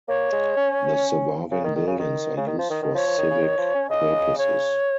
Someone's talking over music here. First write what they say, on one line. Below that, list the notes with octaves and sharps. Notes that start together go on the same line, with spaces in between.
The surviving buildings are used for civic purposes.
A#3 C#5
G#3
C#4
C#3
D#3
D#3
C#3
D#3
C#3
D#3
F3
D#3
D#3
F3 C#5
F3
D#3
C#3
D#3
F3
C#4
C#3 D#5
C#5